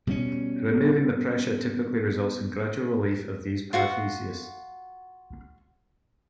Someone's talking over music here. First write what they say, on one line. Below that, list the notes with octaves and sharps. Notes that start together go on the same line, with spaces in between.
Removing the pressure typically results in gradual relief of these paresthesias.
B2 G3 A3 C#4
F4 F#4 F#5